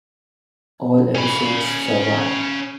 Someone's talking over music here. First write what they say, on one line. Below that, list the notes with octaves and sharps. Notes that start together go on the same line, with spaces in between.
All episodes survive.
C#4 B5